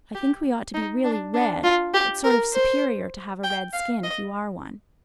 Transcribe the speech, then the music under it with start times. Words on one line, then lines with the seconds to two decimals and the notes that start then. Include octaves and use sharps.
'I think we ought to be really RED - it's sort of superior to have a red skin, if you are one.'
0.15 G4
0.75 D#4
1.04 D4
1.34 D4
1.64 F4
1.94 G4
2.24 A#4
2.54 C5
3.44 G5
3.73 F5
4.04 D#5